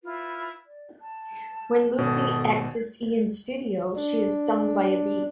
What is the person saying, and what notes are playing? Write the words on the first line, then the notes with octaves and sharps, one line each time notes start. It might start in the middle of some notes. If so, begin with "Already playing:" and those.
When Lucy exits Ian's studio, she is stung by a bee.
E4 F4 B4
D5
A5
G#1 B2 A4 D#6
D4